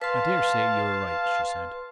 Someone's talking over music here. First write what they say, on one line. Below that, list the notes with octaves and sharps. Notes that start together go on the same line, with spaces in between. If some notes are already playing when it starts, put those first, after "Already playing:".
"I daresay you are right," she said.
B4 F5 A5 C6